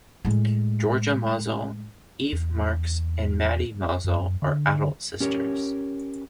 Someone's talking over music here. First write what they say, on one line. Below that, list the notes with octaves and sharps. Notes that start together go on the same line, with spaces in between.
Georgia Mozell, Eve Marks and Maddy Mozell are adult sisters.
A2 G#3
E2
F#2
D3
C#4 G4 A#4 C#5